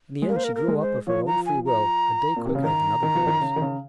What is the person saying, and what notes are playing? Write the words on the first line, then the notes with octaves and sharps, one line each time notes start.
In the end she grew up of her own free will a day quicker than other girls.
G#3
A#3 A#4
C5
A#4
A#4
G#3
C5
F3 C#5
A#5
G#5
A#5
A#2
C3
C#3
D#3 A#5
D#3
F3
D#3
C#3
D#3
C#3